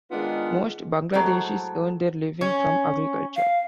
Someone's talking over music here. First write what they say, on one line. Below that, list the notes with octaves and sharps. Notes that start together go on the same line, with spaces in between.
Most Bangladeshis earn their living from agriculture.
D#3 G#3 B3 D4 D#4 F4
A2 F#3 G#3 C4 A4
C#4
F5